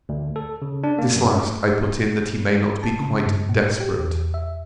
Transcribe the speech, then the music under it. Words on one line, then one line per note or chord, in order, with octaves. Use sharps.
This last I put in that he may not be quite desperate.
D2
A4
C#3
D4
A#3
F#2
A3
A5
C#3
G2
A#2
G4
E2
E5